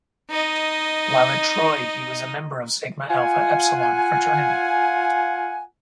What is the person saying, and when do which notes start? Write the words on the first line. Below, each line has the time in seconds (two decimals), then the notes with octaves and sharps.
While at Troy, he was a member of Sigma Alpha Epsilon fraternity.
0.30 D#4 D#5
3.10 F4 F#5 G#5